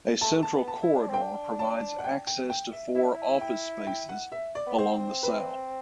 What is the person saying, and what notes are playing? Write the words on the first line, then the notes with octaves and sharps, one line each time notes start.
A central corridor provides access to four office spaces along the south.
A3 A5
A5
B3
A5
E4
D4
C4 G5
D4
A5
F#5
G5
G5
G5
E5
E4 E5
D4
E4
G5
G5
F#5
E5
D5
B3
C4 C5
B4